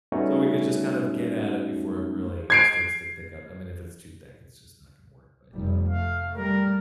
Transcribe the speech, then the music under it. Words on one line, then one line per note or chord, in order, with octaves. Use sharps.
So, we could just kind of get at it before it really starts to pick up, I mean, if it's too thick, it's just not gonna work, but, yeah.
G3 A3 B3 C#4 D#4 F#4
G#6 C7 D7
F1 G3
A3 F5
G3 A#4